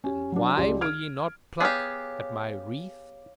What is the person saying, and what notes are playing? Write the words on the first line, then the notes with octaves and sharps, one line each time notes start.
And why will ye not pluck at my wreath?
C#4 G4
F#3 D4
C#2 G4 D5 C6
F6 G#6 D7
B3 G4 G#4 C#5 F5 G#5 D6 F6